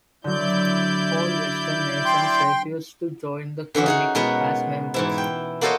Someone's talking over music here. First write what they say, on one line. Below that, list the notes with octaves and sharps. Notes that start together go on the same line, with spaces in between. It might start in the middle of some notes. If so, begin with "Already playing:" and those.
All Western nations refused to join the committee as members.
D3 F#3 E4 D5 G6
G5 C6
D3 E3 C#4 F#4
D#4 G#4 F#5
B2 G#3 B3 A#4 C#5 F#5
G#2 E3 E4
G5
A#3 F#4 A4 C5 C#5 D#5